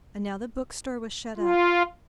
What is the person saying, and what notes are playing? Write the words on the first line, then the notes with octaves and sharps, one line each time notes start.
And now the bookstore was shut up.
F4